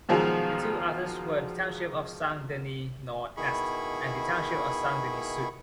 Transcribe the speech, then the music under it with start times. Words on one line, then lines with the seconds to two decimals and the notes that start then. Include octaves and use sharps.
The two others were the township of Saint-Denis-Nord-Est and the township of Saint-Denis-Sud.
0.09 B2 D#3 F3 F#3 G#3
3.37 B2 D#3 E4 G#4 B5 C#6